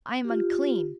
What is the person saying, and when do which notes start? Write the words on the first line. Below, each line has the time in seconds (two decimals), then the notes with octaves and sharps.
I am unclean!
0.25 F4 G4